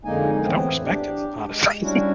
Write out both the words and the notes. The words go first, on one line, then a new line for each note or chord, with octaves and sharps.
I don't respect it, honestly,
F2 D3 G#3 A#3 D#4 G#5
A2 E3 B3 C4
D4 G4
G#3
G3 C#4 D4 E4 F#4